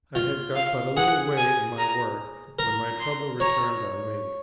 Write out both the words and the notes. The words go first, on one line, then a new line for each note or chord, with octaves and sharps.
I had got but a little way in my work, when my trouble returned on me.
F4
F5
G#4 F#5
G#5
A#5
A#4
C6
C#5 A#5